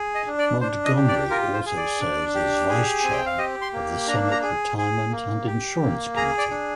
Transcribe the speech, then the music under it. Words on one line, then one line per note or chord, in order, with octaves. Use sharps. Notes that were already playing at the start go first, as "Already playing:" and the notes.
Montgomery also serves as vice chair of the Senate Retirement and Insurance Committee.
Already playing: G#4
D#5
D4
D5
D4 C5
D#5
G4
D5
F4 A#4
C5
G#4
D5
D4
G4
G#4
C4 G#5
G5
F5
G4 D#5
C6
A#3
D4 A#5
A#5
G#4
G#4
A#3
G4
A#3
G#4 A#5
D5
D4